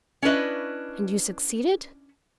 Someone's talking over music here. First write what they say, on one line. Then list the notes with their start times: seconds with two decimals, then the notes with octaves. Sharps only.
"And you succeeded?"
0.22 C#4 D4 E4 B4 D#5